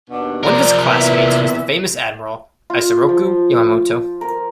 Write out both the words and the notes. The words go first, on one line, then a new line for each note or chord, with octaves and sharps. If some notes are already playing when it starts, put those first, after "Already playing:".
One of his classmates was the famous admiral Isoroku Yamamoto.
D#2 B2 D4
C3 F3 A#4 D5
A#2 E3 B3 E5
F4
F3
A#4